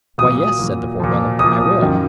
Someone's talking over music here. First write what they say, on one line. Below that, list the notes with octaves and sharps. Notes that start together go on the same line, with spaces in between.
"Why, yes," said the Poor Brother, "I will."
A#2 F#3 D#6
A#2 F#3
A#2 F3
A#2 F3 D#6
F#2 D#3 F#3